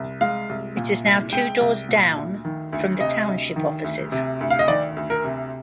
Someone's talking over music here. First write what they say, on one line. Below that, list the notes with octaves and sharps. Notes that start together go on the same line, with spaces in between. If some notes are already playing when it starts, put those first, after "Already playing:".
It is now two doors down from the Township offices.
Already playing: C2
G#3 F5
C2
A#2
C2
G#3 G5
C2
A#2
D2
D#3
D2
C3 D#5
D2
D#3
D2
C3
D2
F5
D#5
D#3 D5
D2
A#4
C3